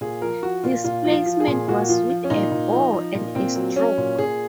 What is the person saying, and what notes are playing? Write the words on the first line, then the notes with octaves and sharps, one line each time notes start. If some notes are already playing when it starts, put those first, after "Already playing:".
Displacement was with a bore and a stroke.
A#2 G#4
F3 A#4
F3 F#4
A#2 F4
A#2 F4
F3
F4
F3
G#4
A#2
A#2 F#4
F3 F4
F3
C#4
A#2 D#4
A#2
F3
F3
A#2
A#2 C4
F#3
F#3 C#4
A#2
A#2 G#4